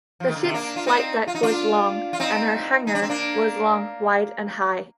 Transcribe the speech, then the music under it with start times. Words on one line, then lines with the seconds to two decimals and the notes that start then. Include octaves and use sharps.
The ship's flight deck was long and her hangar was long, wide, and high.
0.20 F3
0.28 D#3
0.36 D3
0.43 C3 D#3
0.54 A#3 D4
0.76 F4
0.87 C4 D#4
1.27 F4
1.35 D#4
1.43 D4 F4
2.13 F4
2.20 C4 D#4
2.87 D#4
2.95 D4
3.02 C4
3.09 A#3 D4